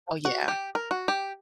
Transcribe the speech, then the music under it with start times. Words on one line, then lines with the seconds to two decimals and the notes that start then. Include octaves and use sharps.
Oh, yeah.
0.25 F#4
0.48 G4
0.75 A#4
0.91 F#4
1.08 G4